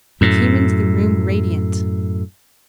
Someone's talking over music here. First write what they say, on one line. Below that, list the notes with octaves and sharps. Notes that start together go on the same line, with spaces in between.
He came into the room radiant.
F#2 A2